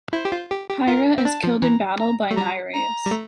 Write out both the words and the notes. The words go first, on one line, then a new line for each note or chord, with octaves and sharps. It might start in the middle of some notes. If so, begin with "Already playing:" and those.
Hiera is killed in battle by Nireus.
E4 C5
G4
F4
G4
G4
F4 A#4
C4
D4 A5
F3
E3 A#5
A#5
A3
G3 A#5
A#5
G3
A3